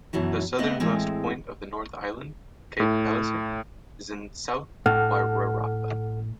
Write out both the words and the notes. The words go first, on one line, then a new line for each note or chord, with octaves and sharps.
The southernmost point of the North Island, Cape Palliser is in the South Wairarapa.
F#2 B2 E3 F#3
A3 B3 C4 D#5 F#5
A2 E3 G#3 C4
A2
A2 A4 F#5 F6